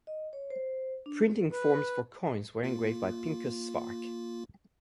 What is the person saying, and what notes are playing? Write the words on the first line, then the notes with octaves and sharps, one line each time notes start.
Printing forms for coins were engraved by Pinkus Szwarc.
D#5
C#5
C5
D4
B4
A#3 F4